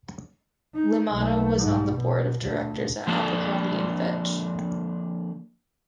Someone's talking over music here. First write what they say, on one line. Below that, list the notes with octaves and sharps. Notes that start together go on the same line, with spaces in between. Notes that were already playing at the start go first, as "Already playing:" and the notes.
Limato was on the board of directors at Abercrombie and Fitch.
D#4
B1 A3
G#2
B2
D2 A#2
D3 F3 A#3 D4 A4 D5